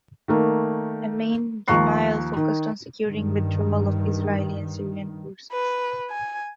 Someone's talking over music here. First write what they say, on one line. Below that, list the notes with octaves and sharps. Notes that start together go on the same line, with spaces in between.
Amine Gemayel focused on securing the withdrawal of Israeli and Syrian forces.
D#3 A3 A#3
D#2 F3 A#5 C#6 F#6 C7
D#3
G2 D#3
B4
G#5